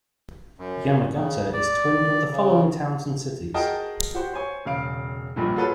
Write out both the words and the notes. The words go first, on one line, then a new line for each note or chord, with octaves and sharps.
Yamagata is twinned with the following towns and cities.
F#2
C#3
D5
C#3
F#4 G#4 A#4 D#5 G5 A5
F#4 G4 C5
C5 C#5 G#5 C#6
E1 C#3 F5 D7
A#1 G2 A#2 D3
F4 F#4 G#4 A4 B4 C#5